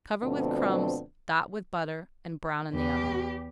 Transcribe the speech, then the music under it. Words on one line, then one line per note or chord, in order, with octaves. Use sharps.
Cover with crumbs, dot with butter, and brown in the oven.
D2 B2 F3 C4 D4
E2 G4